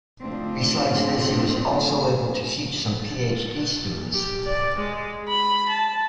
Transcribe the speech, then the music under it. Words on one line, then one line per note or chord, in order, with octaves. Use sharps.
Besides this he was also able to teach some Ph.D. students.
D2 G#2 F3 C4 D4 F4
G4
D5
G#3
B5
A5